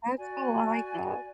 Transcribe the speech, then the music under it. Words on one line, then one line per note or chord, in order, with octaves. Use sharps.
That's cool, I like that.
F#4 D5 G#5